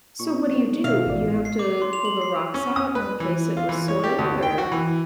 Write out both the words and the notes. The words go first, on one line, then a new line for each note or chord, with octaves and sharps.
So, what do you do? You have to pull the rocks out and replace it with soil, or
A#2 C#6
B1
D#2
B2 D#3 E5 F5
A1 E2 D5
C7
D6
C6
F7
F#7
C7
C#4
D#6
B4
E3
F4
E3
C#5
G4
D2
G5
F#4
E3